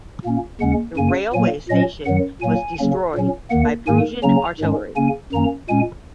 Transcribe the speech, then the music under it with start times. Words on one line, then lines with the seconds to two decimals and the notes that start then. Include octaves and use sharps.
The railway station was destroyed by Prussian artillery.
0.25 A#2 A#3 C#4
0.60 D#2 C#3 G#3 C#4 F#5
0.97 F#2 C#3 A#3 G#5
1.33 A#2 F#3 A#3 G#5
1.69 A#2 F#3 C#4 D#5
2.06 F#2 D#3 F#3 F#5
2.41 A#2 F#3 A#3 G#5
2.79 C#3 F#3 A#3 C#4
3.15 A#2 F#3 C#4
3.50 D#2 D#3 A#3 F#5
3.87 G#2 D#3 A#3 G#5
4.23 C#3 F#3 A#3 C#4 A#5
4.60 G#2 D#3 G#3 C#4
4.96 C#3 A#3 C#4 G#5
5.33 F#2 D#3 A#3 C#4 A#5
5.69 A#2 G#3 C#4 G#5